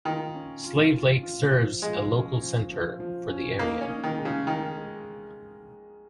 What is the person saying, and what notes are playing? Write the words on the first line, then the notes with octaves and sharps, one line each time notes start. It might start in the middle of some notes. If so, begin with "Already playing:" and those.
Slave Lake serves a local centre for the area.
D#3 F4
C#4
F4
F4
F4
F3
F3 G#3
C#4
F3
F3
F3
C#4
A#3 D#4
C#4
D#4
D#3
G#3
C#3
D#3 A#4
G#3